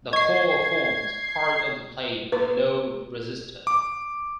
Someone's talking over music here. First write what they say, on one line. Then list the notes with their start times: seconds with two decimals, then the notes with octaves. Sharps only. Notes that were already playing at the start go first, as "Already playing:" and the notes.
The coil formed part of the plate load resistor.
0.13 D#5 C#6 G#6 C7
2.32 B4
3.67 D6